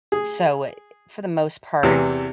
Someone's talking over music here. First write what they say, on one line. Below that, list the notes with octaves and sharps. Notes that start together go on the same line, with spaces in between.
So, for the most part,
G#4
E2 C3 E3